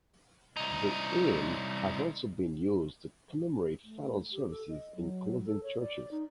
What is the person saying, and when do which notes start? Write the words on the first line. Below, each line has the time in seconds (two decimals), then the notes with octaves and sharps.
The hymn has also been used to commemorate final services in closing churches.
0.57 C2 D#4
3.83 A3
4.33 G4
4.50 A4
4.70 D#5
4.95 F#3
5.45 A4
5.63 C#5
5.79 D5
6.11 D#4